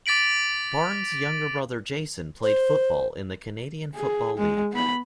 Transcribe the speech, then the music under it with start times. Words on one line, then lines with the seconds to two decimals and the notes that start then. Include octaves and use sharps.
Barnes' younger brother Jason played football in the Canadian Football League.
0.06 D6 A6 B6 D7 F#7
2.43 C5
3.96 G#4
4.37 G#3
4.72 B3 B5